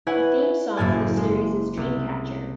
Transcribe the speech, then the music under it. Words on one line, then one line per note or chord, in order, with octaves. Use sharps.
The theme song for the series is Dream Catcher.
E4 B4 C#5 F#5 G#5
F#1 F#2 A2 A#3 A4 G#5
G#3
C2